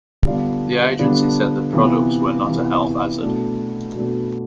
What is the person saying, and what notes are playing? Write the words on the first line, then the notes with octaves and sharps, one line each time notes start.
The agency said the products were not a health hazard.
D3 G3 B3 D4 F4
D3 G3 B3 D4 F4
C3 E3 B3 F4
C3 E3 B3 F4
B2 A3 D4
B2 A3 D4